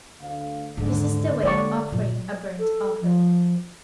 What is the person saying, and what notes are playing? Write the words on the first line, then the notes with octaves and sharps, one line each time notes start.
This is the way of offering a burnt-offering.
D2 D3 F5
D#2 G#2 D3
G#3 A#3 C#5 D5 C#6
A#2 F#3
A4
F3